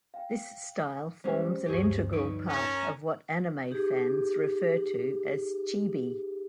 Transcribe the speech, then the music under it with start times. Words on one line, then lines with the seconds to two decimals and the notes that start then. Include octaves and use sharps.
This style forms an integral part of what anime fans refer to as chibi.
0.14 F5 G5
1.24 G3 G#3 C#4 C5
1.66 D2 G2 F3 G4 G#4 C#5
2.13 D#4 B4 C#5 D7
2.48 C#4 A#4 A5 A#5
3.71 D#4 G4 G#4